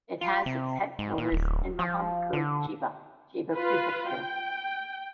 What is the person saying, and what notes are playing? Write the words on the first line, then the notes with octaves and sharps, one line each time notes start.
It has its headquarters in Mihama-ku, Chiba, Chiba Prefecture.
F4
C3
G#2
A#2
D1
F3
D3
F4 B4
G5